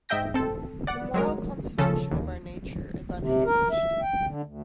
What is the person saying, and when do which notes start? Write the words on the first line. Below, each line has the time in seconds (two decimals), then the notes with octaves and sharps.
The moral constitution of our nature is unhinged.
0.09 G#2 D#5 E5 G5 G6 A#6
0.34 C4 A4
0.87 D5 F#5
1.14 F#3 G#3 A#4
1.78 C#3 F3 C#4 A4
2.11 D#2
3.20 C3
3.45 A#4
3.71 E5
4.02 G5
4.27 D3
4.45 D2